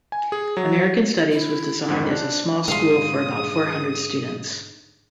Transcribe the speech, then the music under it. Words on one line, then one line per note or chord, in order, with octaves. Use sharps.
American Studies was designed as a small school for about four hundred students.
G#5
G#4
F#3
E4
F2 G#2 D#3
D4
G#2 D3 G3 G#4 F5 C6 D#6